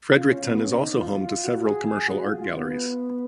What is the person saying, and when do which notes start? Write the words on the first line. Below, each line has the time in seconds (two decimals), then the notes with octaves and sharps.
Fredericton is also home to several commercial art galleries.
0.16 F4
0.32 C#4
0.48 B3
0.64 C#4
0.80 D#4
1.01 F4
1.23 F4
1.44 F#4
1.65 G#4
1.87 G#4
2.08 F#4
2.24 F4
2.40 F4
2.56 B3